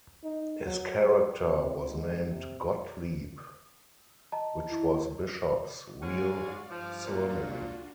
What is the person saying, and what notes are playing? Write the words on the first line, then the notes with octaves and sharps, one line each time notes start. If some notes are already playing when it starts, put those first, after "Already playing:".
His character was named Gottlieb, which was Bishop's real surname.
D#4
F#3
G3
C3
G#2
C3
D#5 A5 A#5
E4
G#2 G#3 C#4 F#4 D5 F5
G2 F3 D6 F6
A#2 D4 F4 F#4